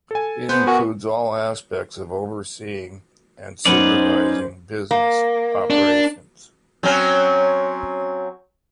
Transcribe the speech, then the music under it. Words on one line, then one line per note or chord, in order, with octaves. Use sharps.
It includes all aspects of overseeing and supervising business operations.
A4 G#5
B3 C5
F#4 A#4 G#5
F#2 B3 C#4 D#4 B4 C5 D5 F#5
A#3
D4
F#3 C4 C#4